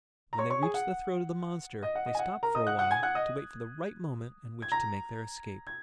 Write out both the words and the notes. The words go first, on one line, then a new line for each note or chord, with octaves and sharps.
When they reached the throat of the monster, they stopped for a while to wait for the right moment in which to make their escape.
A#5
C#5 C#6
C#5 C#6
G#4 G#5
F#5
D#5
F#5
D#5
G#5
F#5
A#4 A#5
D#5 D#6
F#5 F#6
F#5 F#6
G#5 G#6
F#5 F#6
D#5 D#6
G#6
A#5 A#6
G#6